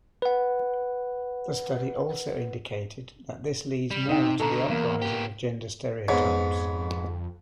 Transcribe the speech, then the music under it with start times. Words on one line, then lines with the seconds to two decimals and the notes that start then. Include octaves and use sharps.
The study also indicated that this leads more to the uprising of gender stereotypes.
0.22 B4 F#5
3.91 G3
4.09 C3 D#4 G5
4.40 B2 D3 A4 A#5
4.70 E2 A#3
5.02 B3 G4
6.08 F2 G#2 B3 C#5